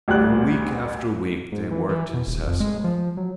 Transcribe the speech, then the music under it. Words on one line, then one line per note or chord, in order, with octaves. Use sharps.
For week after week they worked incessantly.
A1 D2 G3 D5 F#6
G#2
E3
E3
B2
D#1
F2
G#3
F3
F#3